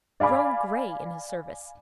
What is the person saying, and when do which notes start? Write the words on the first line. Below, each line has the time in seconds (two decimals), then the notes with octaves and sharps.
Grown grey in his service!
0.20 D5 F5 G#5 B5 D6